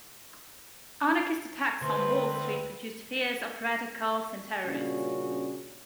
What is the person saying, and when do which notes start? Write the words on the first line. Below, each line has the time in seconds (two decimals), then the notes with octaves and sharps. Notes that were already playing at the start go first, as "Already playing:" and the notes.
Anarchist attacks on Wall Street produced fears of radicals and terrorists.
1.82 D2 B4 C5
2.14 C4
4.65 A#2 C#3 G3 C#4 D4 F#4